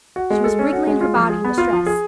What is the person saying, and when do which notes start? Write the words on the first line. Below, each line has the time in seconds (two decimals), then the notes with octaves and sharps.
She was wriggling her body in distress.
0.16 F#4
0.30 G#3
0.44 A4
0.59 C#4
0.73 F#4
0.87 G#3
1.01 F4
1.16 F3
1.30 G#4
1.44 B3
1.58 F4
1.73 F3
1.86 G#4